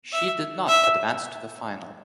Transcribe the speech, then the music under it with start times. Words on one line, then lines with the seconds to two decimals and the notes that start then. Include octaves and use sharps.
She did not advance to the final.
0.13 E5
0.68 E5